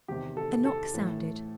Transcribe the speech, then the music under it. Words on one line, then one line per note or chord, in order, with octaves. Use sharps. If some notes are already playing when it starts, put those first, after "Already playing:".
A knock sounded.
E2 C3 D#3 G4
A4
A4
A2 E3